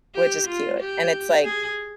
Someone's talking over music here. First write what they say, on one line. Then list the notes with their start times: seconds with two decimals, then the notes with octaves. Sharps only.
which is cute, and it's, like,
0.15 G4
0.47 F4
0.79 G4
1.44 G#4